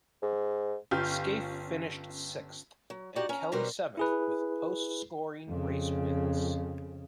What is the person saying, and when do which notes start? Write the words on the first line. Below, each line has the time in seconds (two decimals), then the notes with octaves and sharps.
Skaife finished sixth and Kelly seventh with post scoring race wins.
0.22 G#2
0.91 G1 C#4 F4 G4 F6 G6
2.90 F#3
3.16 D#4 F#4 G4 D5
3.29 C#4 A#5
3.52 B2 F#3 G3 A#4 C5
3.97 E4 G#4 B4
5.49 F2 C#3